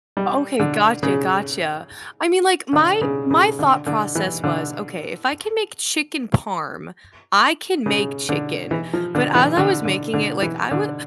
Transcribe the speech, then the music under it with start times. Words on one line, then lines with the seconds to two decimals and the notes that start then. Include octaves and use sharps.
Okay, gotcha, gotcha. I mean, like, my my thought process was, okay, if I can make chicken parm, I can make chicken, but as I was making it, like, I would
0.17 G3
0.60 D3
1.03 C#3
2.73 D3
3.01 C#3
3.31 C#3
3.59 D3
3.87 D3
4.15 E3
4.44 D3
7.86 C#3
8.29 D3
8.71 E3
8.93 F3
9.15 D3
9.35 E3
9.57 D3
9.85 D3
10.14 D3
10.42 E3
10.71 D3